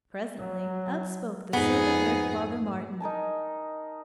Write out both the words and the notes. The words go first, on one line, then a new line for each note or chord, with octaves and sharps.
Presently up spoke the silver-haired Father Martin.
F#3
F2 G#2 B3 D#4 G#4
D#4 A#4 G#5 A5